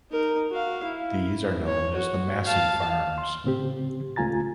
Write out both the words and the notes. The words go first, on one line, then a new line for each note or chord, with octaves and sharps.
These are known as the Massey Farms.
D#4 A#4
F#4 F5
E4
C#5
F#4
F5 A5
C6
A2 C#3 C4 G4
C#2 A3 F4 G#5 A#5 A6